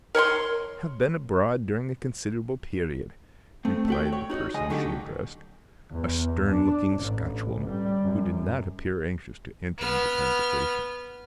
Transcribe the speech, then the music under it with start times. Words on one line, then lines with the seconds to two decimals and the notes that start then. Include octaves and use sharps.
"I have been abroad during a considerable period," replied the person she addressed, a stern-looking Scotchwoman who did not appear anxious to enter into conversation.
0.15 A#4 C#5 B5 C6
3.65 A3 C4
3.88 A3 F#4 G5
4.13 C#5
4.30 D#4 F#4 C#5
4.54 C#2 G#3 D#5 G#5
4.70 D3 F#3 A3 D#4 G4
5.92 E2
6.49 D4
6.98 A1
7.68 G3
8.03 F#2
9.78 B3 F6